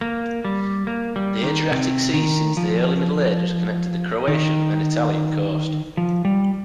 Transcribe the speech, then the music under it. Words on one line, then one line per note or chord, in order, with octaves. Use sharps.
The Adriatic Sea since the Early Middle Ages connected the Croatian and Italian coast.
A#3
G3
A#3
G3
D#3
C3
D#3
F3
D#3
F3
G3